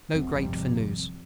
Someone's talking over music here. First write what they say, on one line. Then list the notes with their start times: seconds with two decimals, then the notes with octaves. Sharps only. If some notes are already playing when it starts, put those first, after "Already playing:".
No great for news.
0.14 D1 F#2 C4
0.34 G#1 F2 C3 G3